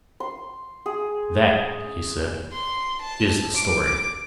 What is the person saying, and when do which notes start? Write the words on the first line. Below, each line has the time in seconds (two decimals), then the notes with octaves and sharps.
"That," he said, "is the story."
0.20 C6
0.86 G#4
2.52 C6
3.02 A5
3.55 D6